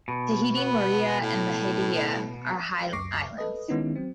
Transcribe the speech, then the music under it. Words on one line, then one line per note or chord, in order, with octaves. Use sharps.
Tahiti, Moorea, and Mehetia are high islands.
B2
B3
A2
C#2 F#2 C#6 D6 A#6 C7
A4 B4 D#5
D#3 G#3 B3 C#4 D#4 E4
F#3 C4